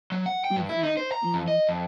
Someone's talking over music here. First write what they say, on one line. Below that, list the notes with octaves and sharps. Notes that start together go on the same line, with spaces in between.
Mhm, mhm.
F#3
F#5
G5
G2
E4
D#4
C5
A#5
F2
D#5
F2